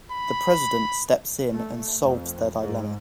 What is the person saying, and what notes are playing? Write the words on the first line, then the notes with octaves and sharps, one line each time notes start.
The President steps in and solves their dilemma.
B5
A3
F2
G#2